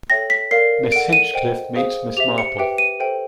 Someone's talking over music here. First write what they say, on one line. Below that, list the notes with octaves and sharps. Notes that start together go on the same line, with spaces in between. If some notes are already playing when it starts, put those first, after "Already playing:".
Miss Hinchcliffe meets Miss Marple.
A4 C#5 E5 G5 A#6
B6
A#4 D5 F5 C7
A4 D5 F#5 D7
D#7
C5 D#5 G5
G#4 C5 F5
G4 C5 E5 F7
C#7
G4 B4 E5 G5
D#7
A4 C5 E5 G5